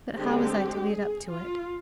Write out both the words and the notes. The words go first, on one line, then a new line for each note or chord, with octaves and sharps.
But how was I to lead up to it?
D3 G#3 C4 G4
G#4
F4